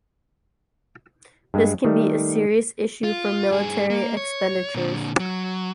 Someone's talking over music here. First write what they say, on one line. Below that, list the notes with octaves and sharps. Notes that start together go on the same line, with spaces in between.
This can be a serious issue for military expenditures.
G2 G#3
D#3 G3 A3
F4
G2 G#4
A#3
C#5
A#2 D3
F#3